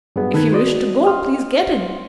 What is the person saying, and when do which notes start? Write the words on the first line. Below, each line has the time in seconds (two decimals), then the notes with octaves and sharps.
"If you wish to go, please get in."
0.16 G2 F#3 B3 G#4
0.34 D#3 A4 B4 G#6
0.52 F#4 C5 D5 D#5
1.04 D#5 C6 D#6 F6